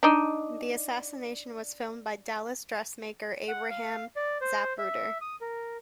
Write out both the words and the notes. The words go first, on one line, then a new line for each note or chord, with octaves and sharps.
The assassination was filmed by Dallas dressmaker Abraham Zapruder.
D4 D#4
F#5
F5
D5
C5
E5
D#6
A#4